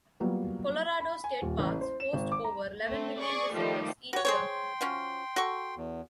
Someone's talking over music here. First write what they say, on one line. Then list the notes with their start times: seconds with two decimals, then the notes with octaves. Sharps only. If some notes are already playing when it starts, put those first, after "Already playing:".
Colorado State Parks host over eleven million visitors each year.
0.20 F#3 G3 A#3 B3 F4
1.00 B5
1.24 G#5
1.42 D#1
1.59 A1
1.81 C5
2.00 E7
2.13 G#1
2.32 D6
2.44 A#5
2.85 A3 C4
3.21 G#4 D5 C#6
3.54 D#3 F3 G3 A3
4.13 F#4 G4 B4 C#5
4.25 G#4 C5 C#5 G5 C6
4.81 F3 C#4 F#4
5.36 F#4 A4 C#6
5.77 E2